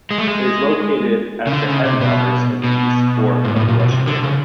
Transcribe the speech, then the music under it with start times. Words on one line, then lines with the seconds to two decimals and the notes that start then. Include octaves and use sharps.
It is located at the headwaters of the East Fork of the Russian River.
0.11 G#3
0.18 A3
0.27 G#3
1.47 C#3
1.53 D3
1.68 C#3
1.85 C3
2.01 B2
2.64 B2
3.45 G#2
3.56 A2
3.68 A#2
3.79 B2
3.92 C3
4.07 D3
4.23 C#3